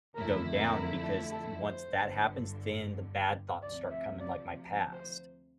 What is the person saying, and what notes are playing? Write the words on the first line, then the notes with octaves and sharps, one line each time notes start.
go down because d once that happens, then the bad thoughts start coming like my past.
F2 D3 A3 E4 A#4
A#4
A4
A4
C5
G1 G2 D3
D2 C3 F3 D5
E5
D5
C5